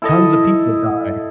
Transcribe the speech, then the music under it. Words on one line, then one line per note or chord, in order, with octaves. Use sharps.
tons of people die.
E4 A4 D#5